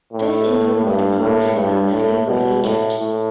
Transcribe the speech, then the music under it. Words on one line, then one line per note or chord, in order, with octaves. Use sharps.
This influenced the policy around slavery in Egypt.
A2
G2
A2
G2
A2
B2
A2
A2